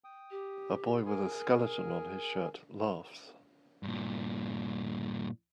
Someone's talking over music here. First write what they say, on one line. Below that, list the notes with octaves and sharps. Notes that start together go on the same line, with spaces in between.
A boy with a skeleton on his shirt laughs.
G5 D#6
G4
G#4 A#4 G#5
G2 A#2